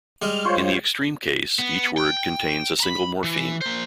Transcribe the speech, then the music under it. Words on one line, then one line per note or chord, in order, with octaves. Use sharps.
In the extreme case, each word contains a single morpheme.
G3 G#3 F6
F4 C5 C#5
B3
G5
A#5 B5
E3
A#3 C5